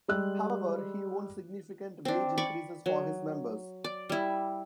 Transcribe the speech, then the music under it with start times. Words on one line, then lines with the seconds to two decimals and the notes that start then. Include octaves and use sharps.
However, he won significant wage increases for his members.
0.08 G3 G#3 E6 F#6
2.05 C4 D4
2.38 D5 B5 C#6
2.86 F#3
3.84 D5
4.09 G3 E4